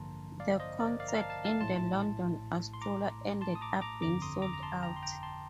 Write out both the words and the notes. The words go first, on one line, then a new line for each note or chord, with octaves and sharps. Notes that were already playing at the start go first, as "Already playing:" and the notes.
The concert in the London Astoria ended up being sold out.
Already playing: A1 G2 D3 F3 A#3 A5 A#5 C6
D5 F5
C5 D#5
A#4 D5
D5 F5
A#5
F5 A5
F5 A5
F5 A5
A#1 A2 A3 A5 C6
C6
A#5 D6
A5 C6
D#6
A#5 D6
A#5 D6
G1 F2 D3 A#5 D6
C6 D#6
A#5 D6
A#5
A5 C6
G5 A#5
C6
G5 A#5
A5 C6